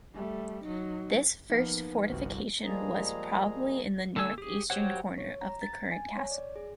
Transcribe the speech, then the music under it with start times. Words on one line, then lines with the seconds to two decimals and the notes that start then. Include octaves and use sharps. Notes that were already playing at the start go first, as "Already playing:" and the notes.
This first fortification was probably in the northeastern corner of the current castle.
0.14 G3 A3
0.64 F#3 D#4
1.50 F3 A#3 B3 D#4
2.10 G1 C2 F#4
2.65 F3 G3 G#3 A#3 G#4 A#5
4.16 D3 A3 A4 G#5 E6
4.38 G4 G#4
4.70 F#3 G4 C5 C#5 F#5
5.18 C#5
5.41 A#5
5.62 A6
5.91 G#5
6.18 C#5
6.31 D5
6.56 G#4